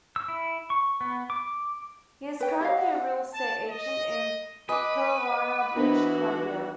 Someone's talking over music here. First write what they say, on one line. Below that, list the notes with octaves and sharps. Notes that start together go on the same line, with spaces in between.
He is currently a real estate agent in Kelowna, British Columbia.
E6
E4
C#6
B3
D6
B4 C#5 G5
G4 D#5 F5
F#5
A5
D#5
B4 D#5 G#5 D6
E3 B3 D4 F#4 C5